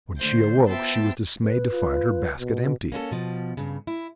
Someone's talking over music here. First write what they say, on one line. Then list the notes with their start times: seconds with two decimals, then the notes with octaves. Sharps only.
When she awoke she was dismayed to find her basket empty.
0.19 D3 A3 C5 G6
0.67 B3 F4 C5 E5 G5 A5
1.44 B4
1.72 F4
2.39 B2
2.92 A#3 C#4 E4 A4
3.11 B2 F3
3.57 G2 C#3
3.87 E4